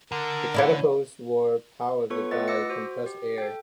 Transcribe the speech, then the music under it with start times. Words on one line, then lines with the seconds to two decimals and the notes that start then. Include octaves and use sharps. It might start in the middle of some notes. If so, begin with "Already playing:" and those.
The catapults were powered by compressed air.
0.12 D3 A#4
0.54 C#4 E4 D5
2.10 B3 F4 A4 B4 C#5 C#6
2.31 A3 F4 B4 D#5 F#5 A6
2.48 D6 E6 A#6 C#7
2.70 F#4 C5
3.06 G4
3.38 A4 G5